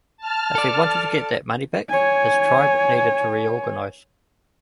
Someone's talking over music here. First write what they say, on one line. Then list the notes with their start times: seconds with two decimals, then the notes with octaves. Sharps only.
If he wanted to get that money back, his tribe needed to reorganize.
0.17 A5 F6
0.55 A4 D5
1.89 C#5 G#5